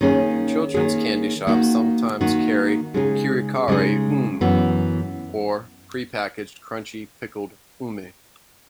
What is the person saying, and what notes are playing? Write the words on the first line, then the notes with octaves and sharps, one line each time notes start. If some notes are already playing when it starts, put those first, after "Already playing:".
Children's candy shops sometimes carry "karikari ume", or prepackaged, crunchy pickled ume.
D#3 A#3 C#4 G#4
D#3 A#3 C#4 G#4
D#3 A#3 D#4 F#4
D#3 A#3 D#4 F#4
C#3 G#3 D#4 G#4
C#3 G#3 D#4 G#4
F#2 E3 B3 F#4